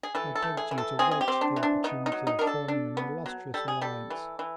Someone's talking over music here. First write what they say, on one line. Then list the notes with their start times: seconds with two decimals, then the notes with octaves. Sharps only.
I begged you to wait the opportunity of forming an illustrious alliance.
0.03 G#4
0.15 E3 A4
0.35 A4
0.42 A3
0.57 G#4
0.71 E3
0.78 A4
0.99 C4 G#4
1.11 G#4
1.21 G4
1.28 C4
1.41 D4
1.56 E3
1.63 D4
1.84 B3 D#4
2.06 D#4
2.12 F#3
2.27 D#4
2.39 D4 A#4
2.47 A4
2.68 D4
2.97 B3
3.26 F#3
3.54 G3 A4
3.68 G#4
3.81 G3 A4
4.10 E3
4.39 E3